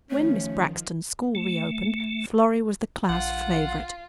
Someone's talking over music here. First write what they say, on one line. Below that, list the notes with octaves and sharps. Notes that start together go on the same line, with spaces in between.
When Miss Braxton's school reopened Florrie was the class favourite.
D#3 F3 A3 C#4
A3
A#1 F4 F#5